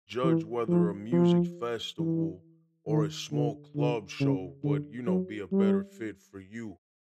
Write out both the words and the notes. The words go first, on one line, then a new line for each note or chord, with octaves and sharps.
judge whether a music festival or a small club show would, you know, be a better fit for you,
E3
F3
F3
E3
D#3
D3
D3
C#3
D3
F#3
G3